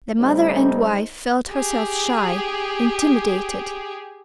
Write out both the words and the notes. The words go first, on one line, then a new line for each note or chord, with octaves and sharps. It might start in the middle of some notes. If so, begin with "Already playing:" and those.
The mother and wife felt herself shy, intimidated.
C#3 G3 A3 C4 D4 D#4
G4 G#4